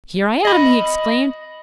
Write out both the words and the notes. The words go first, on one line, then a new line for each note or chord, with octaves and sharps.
'Here I am!' he exclaimed.
D#5 B5